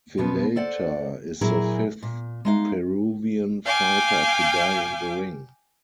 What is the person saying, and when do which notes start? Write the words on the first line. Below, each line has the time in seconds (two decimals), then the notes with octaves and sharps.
Villalta is the fifth Peruvian fighter to die in the ring.
0.18 F2 B2 F3 B3 B4
0.56 A4 C5 D5 F#5
1.41 A#2 F#3 E4 G#4 A#4 G#5
2.03 A#2
2.45 G#3 D#4 F5
3.65 F5 G5 G#5 D6